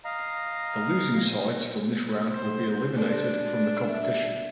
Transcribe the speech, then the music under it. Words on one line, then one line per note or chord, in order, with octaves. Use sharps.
The losing sides from this round will be eliminated from the competition.
D#5 F5 A#5
C5
C4 D4 A4 C5
G#3
E5